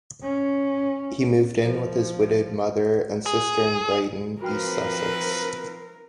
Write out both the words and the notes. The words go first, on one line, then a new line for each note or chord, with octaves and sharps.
He moved in with his widowed mother and sister in Brighton, East Sussex.
C#4
F3
G#4
F3 C4 F#4 A#4 B4 G5 F6